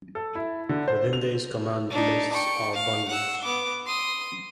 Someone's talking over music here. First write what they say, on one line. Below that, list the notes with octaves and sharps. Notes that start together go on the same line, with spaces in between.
Within these command lists are bundles.
A4
E4
D3
C5
F7
D4 D#4
G5 C#6
F5
F#5 E6
B3 D6
C6 D#6